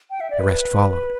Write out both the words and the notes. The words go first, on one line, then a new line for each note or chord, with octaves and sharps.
The rest followed.
G5
E5
D5
B4